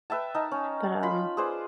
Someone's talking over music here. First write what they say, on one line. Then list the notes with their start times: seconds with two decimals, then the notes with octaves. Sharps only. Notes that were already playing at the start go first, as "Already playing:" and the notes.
but, um,
0.10 B4 E5 G5 A5
0.35 D#4 A#4 A5
0.51 C#4
1.03 F4 B5
1.37 G#4 B4 C5 D5